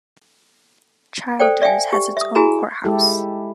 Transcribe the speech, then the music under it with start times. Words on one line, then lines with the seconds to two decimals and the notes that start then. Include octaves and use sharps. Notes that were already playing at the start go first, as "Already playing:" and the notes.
Childers has its own courthouse.
1.40 A4 C5 D5 G5
1.62 D5 E5 F5 G5 G#5
1.93 G4
2.17 E5 D#6
2.35 E4 F#4 G#4 G#5 A#5 B5
2.85 G#3 E4 G4 A4